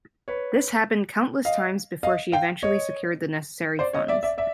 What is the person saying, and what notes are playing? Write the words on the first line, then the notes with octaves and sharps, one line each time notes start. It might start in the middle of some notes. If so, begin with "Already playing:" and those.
This happened countless times before she eventually secured the necessary funds.
B4 C#5
D#5 F5
D#5 F5
F5 G5
C#5 D#5
C5 D5
C#5 D#5
D5 E5
D5 E5
D5 E5